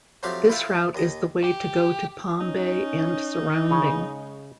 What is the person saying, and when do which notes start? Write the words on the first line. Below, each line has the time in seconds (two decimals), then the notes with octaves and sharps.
This route is the way to go to Palm Bay and surrounding.
0.23 F3 F#3 A3 C4 G4 F5
0.50 E4 F4 A4 F5 G5
0.95 D#2 D#5
1.44 G4
2.40 C#4 D#4
3.71 C#3 G#3 C#5